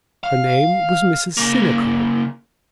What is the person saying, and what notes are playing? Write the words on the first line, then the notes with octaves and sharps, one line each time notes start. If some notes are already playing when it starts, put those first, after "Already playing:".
Her name was Mrs. Sinico.
F5
C#3 A#3